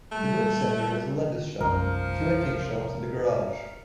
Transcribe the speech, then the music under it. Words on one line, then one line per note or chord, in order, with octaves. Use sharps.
The village centre has a Londis shop, two antiques shops and a garage.
A#2 G3 A3
F1 B1 F#2 F3 G3 A#4